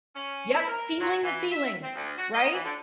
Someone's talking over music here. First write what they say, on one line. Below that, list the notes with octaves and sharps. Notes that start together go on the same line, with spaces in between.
Yep, feeling the feelings, right?
C#4
E4
A#4
F#3
E3
E5
C4
D2
F#4
D#5
E3
D3